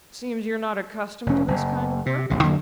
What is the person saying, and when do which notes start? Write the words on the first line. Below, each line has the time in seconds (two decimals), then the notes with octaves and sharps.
Seems you're not accustomed to this kind of work?'
1.26 F1 C#4
1.48 F#1
2.06 C3
2.30 F1 A#1 C3
2.43 F2 D3 F#3 A#3